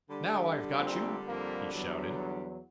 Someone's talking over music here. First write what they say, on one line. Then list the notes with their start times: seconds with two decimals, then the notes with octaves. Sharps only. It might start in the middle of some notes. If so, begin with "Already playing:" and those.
"Now I've got you!" he shouted.
0.10 D3 G3
0.78 A#1 A#2 C4
1.26 F2 A#3
1.71 E2 F#3